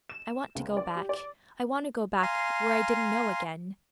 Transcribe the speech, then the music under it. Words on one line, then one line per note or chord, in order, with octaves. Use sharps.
"I want to go back--I want to go back, where I didn't know--again."
E7
C#2
D5
G4
D5
F5 G#5 A#5 C6